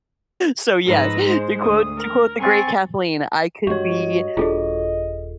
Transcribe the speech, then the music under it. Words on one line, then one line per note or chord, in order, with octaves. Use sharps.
So yes, to quote to quote the great Kathleen, I could be
G#2 F3 D#4 B4 E6 A#6
G#3 C5
D2 D#6
A#4
C4 G#5 C#6 A6
G2 G#3 F#4 G4 C#5 D#5
D#1 C4 D4 F4 G#4 A4